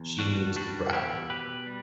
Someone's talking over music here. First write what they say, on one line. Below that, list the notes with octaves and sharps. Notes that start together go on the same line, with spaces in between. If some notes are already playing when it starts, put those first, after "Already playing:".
She needs the gravel.
Already playing: E2
G3 D4 F#4
G3 D4 F#4
E2 E4 G4
B2 G4 B4
G3